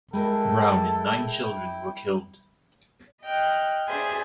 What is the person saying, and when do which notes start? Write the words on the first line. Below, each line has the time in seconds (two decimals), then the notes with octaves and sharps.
Brown and nine children were killed.
0.13 G#3 E4 A4 A#4 G5
3.24 D#5 G5 F6 F#6
3.88 D4 G#4 B4 C5 E5 G#5